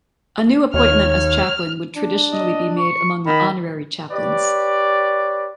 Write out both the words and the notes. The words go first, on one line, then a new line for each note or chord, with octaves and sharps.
A new appointment as chaplain would traditionally be made among the honorary chaplains.
D#2 C#5 F6
F6
D4
D#5
C#6
D#3 B5
G4 B4 C#5 D5